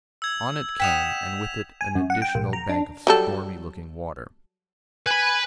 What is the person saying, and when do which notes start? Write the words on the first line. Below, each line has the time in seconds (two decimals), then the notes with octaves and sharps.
On it came, and with it an additional bank of stormy-looking water.
0.22 E6 G#6
0.80 D#5 F#5 G5 B6 E7 F7
1.81 G#5
1.95 F#2
2.10 F#5
2.22 G5
2.35 A#1
2.53 A#5
2.69 D4
3.07 F#3 G3 A4
5.07 B4 G#5 B5